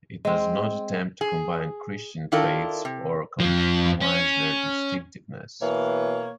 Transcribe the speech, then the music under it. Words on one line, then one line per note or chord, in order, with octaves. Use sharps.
It does not attempt to combine Christian faiths or compromise their distinctiveness.
G#3 C4
G#4
D#3 D4 E4 F4 A4 A#4
C3
F2 F3
C#4
B2 E3 A#3 C#5